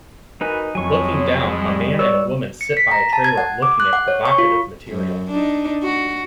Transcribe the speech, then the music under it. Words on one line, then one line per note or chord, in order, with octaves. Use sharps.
Looking down, a man and woman sit by a trailer looking at provocative material.
E3 D#4 F#4 A#4 B4 G#5
F2 A2 F#3 G#3 C#5 G#5 C#6
G3
B4 C#5 D5 E6
C#7
B6
A#5
A5
G#6
F#5
D6
F#6
F#5
C#5
C#6
F4
F#2
D4 D#4
F#4